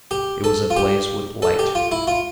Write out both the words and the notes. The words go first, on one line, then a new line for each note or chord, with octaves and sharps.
It was ablaze with light.
G4
A4
F4
G4
A4
G4
F4
E4
F4